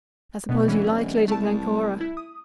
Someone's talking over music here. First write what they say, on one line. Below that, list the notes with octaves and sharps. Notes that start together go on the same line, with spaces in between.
"I suppose you like Lady Glencora?"
D1 B2 B3
E3 C#4
C2 A3 A5
E4
D#6